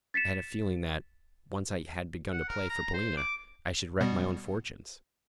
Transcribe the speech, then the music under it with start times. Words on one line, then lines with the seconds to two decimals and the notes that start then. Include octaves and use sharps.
I had a feeling that, once I had begun to play for Polina, I should wreck my own fortunes.
0.14 A6 B6 C#7 E7
2.33 F#5
2.49 A#4
2.69 A#5
2.94 C5
3.17 D6
4.00 B2 G3 B3